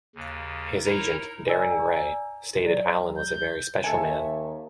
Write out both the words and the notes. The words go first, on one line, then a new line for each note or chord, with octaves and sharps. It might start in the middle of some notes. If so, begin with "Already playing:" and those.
His agent, Darren Gray, stated Alan was a very special man.
D#2 C#3
D#4 E4 A#4 C#5 A#5
D5 G#5 A#5 E6
F#3 D5
G6
D#2 A4 E5 G#5